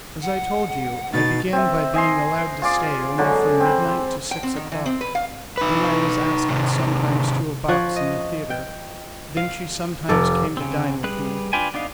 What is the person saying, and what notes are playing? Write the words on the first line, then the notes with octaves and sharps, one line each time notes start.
As I told you, I began by being allowed to stay only from midnight to six o'clock, then I was asked sometimes to a box in the theatre, then she sometimes came to dine with me.
F#5
B2 D#4 A6
C4 E5
D#5 G#5 C6
F4 G#4 D5
D3 F#3 G#3
C4 B5
G5
C4
D#3
E3
C4
B4
F5
D#4 B4
C3 D#3
F3 C#5 F#6
D#5
G5
F5
F1 A4 D6
C#3 C4
G3 G#4 B4 F#6
D4 F4 B4 G5 G#5
B3 D4 D#4 F5